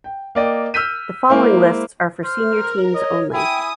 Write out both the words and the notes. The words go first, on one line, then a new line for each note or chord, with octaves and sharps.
The following lists are for senior teams only.
G5
A#3 D5 D#5 G5
E6 F6 G6 B6 D#7
G#3 A#3 E4 C5
C5 F6
A#4
C#5 D#5
E4 G5 G#5 D#6